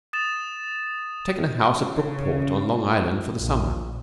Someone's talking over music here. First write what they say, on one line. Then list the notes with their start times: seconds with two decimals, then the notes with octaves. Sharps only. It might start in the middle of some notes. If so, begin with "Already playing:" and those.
I've taken a house at Brookport, on Long Island, for the summer.
0.13 D#6 A6 E7
1.78 C#3
3.35 A#1